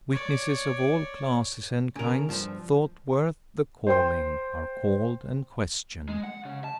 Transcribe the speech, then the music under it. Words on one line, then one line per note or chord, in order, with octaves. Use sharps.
Witnesses of all classes and kinds thought worth the calling are called and questioned.
C#5 D5
C#3 A#4
G2 F3
C5 G5 C6
G#3
F#5
C#3
A5